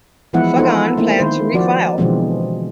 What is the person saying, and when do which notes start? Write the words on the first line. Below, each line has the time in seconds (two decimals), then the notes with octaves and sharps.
Fagan planned to refile.
0.33 E3 F3 G#3 B3 E4 F#5
0.57 B3 D#4 F4 A4 C5
0.98 A3 A#3 C4 E4
1.19 D#3 C5
1.54 F3 F#4 D5
1.98 B2 D3 E3 F3 G#3 C4